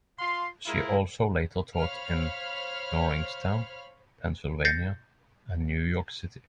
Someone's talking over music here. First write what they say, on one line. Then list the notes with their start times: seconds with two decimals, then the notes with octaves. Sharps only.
She also later taught in Norristown, Pennsylvania, and New York City.
0.20 F4 F5 C6
0.66 G#3 E4 F4 G#4 A#4
1.76 C5 C#5 F5 B5 F6
4.65 G6 A6 A#6 C7 C#7